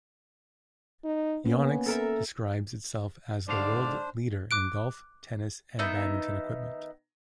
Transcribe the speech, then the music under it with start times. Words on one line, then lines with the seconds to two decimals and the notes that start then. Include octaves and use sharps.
Yonex describes itself as the world leader in golf, tennis and badminton equipment.
1.05 D#4
1.45 A#3 B3 C#4
1.86 A4 A#4 E5
3.48 G#2 D3 D4 C5 D5 F5
4.51 D6 F#6 D7
5.79 D#3 B3 D#4 E5